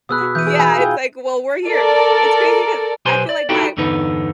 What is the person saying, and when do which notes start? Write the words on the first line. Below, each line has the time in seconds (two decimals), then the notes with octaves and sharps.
Yeah, it's like, "Well, we're here," It's crazy 'cause I feel like my
0.09 B2 G#4 B5 D#6 E6 F#6
0.21 F#4
0.35 E3 G6 D#7
0.47 G#4
0.59 D#4 G#5 B5 E6
0.79 F4 G#4 G5
1.67 A4 A#4 D5
3.05 B1 G4 B4 C5 G#5 C6
3.29 D5
3.49 D#4 E4 F#4 G4 A4 G5
3.77 E2 G2 D3 B3 D#4 B4